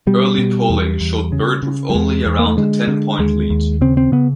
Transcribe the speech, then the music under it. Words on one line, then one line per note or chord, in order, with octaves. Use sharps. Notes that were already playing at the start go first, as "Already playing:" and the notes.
Early polling showed Byrd with only around a ten-point lead.
B2 G3
B2
E2
E2
C#3
C#3
G3
E2 G#3
E2
A#3
A3
D3 G#3
D3
D#2 G#3
D#2
C#3 C4
C4
C#3 B3